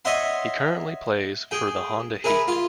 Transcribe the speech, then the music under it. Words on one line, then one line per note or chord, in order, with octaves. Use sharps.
He currently plays for the Honda Heat.
C#5 D#5 E5 F#5 C6
G#4 G5
G#4 A#4 B4 E5
F4